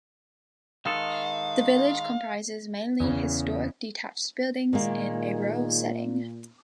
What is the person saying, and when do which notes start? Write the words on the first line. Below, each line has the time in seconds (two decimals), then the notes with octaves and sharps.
The village comprises mainly historic detached buildings in a rural setting.
0.86 D#3 G#3 A4 F5
3.00 E2 C#3
4.73 A#2 D#3 G#3 A#3